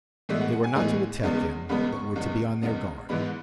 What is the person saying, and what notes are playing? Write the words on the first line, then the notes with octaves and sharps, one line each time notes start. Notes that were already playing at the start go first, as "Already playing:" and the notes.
They were not to attack them, but were to be on their guard.
A2 E3 G#3 B3 E5
F#5
F#5
G#5
A2 E3 G#3 B3
E2 C#3 G#3 B3
E2 C#3 G#3 B3 B5
C#6
E2 C#3 G#3 B3
E2 C#3 G#3 B3
G#2 E3 G#3 B3 B5